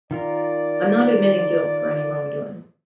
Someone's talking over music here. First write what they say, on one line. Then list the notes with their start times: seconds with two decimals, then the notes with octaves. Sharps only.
I'm not admitting guilt for any wrongdoing.
0.11 D#3 F4 A#4 D5